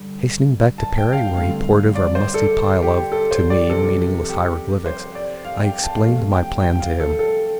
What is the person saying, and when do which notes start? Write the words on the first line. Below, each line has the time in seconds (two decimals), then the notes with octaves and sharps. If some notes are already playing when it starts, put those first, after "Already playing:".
Hastening back to Perry where he pored over a musty pile of, to me, meaningless hieroglyphics, I explained my plan to him.
Already playing: G2 D3
0.78 A5
0.98 G5
1.13 F5
1.17 G5
1.37 G2 D3 A3 C4 F5
1.95 D5
2.15 C5
2.34 A4
2.82 G4
3.12 A4
3.31 C5
3.50 D5
3.70 C3 F3 C4 A4
4.28 G4
4.86 C5
5.15 D5
5.45 F5
5.64 G5
5.83 A5
6.02 C3 F3 A3 F5
6.32 G5
6.61 G5
6.80 F5
7.00 A4
7.19 A4